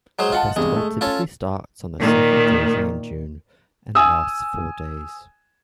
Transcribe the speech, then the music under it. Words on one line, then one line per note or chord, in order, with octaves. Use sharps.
The festival typically starts on the second Thursday in June and lasts four days.
F#3 G#3 C5
F4 D#5 F#5 A5
E2 G2 C3 G#3
A3
C#4 F4 A4 C#5
A#2 D#3
G#5 D#6 E6